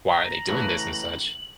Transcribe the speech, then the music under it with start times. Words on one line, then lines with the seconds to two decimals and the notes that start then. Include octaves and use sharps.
"Why are they doing this," and such.
0.20 A#5
0.32 F#7
0.49 A2 C#3 E3